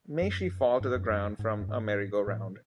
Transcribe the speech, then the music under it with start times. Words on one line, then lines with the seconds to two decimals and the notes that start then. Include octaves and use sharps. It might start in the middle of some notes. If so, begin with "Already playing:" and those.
May she fall to the ground from a merry-go-round.
0.22 F#2
0.81 G#2
0.95 F#2
1.10 F#2
1.39 G#2
1.61 F#2
1.69 G#2
2.27 A2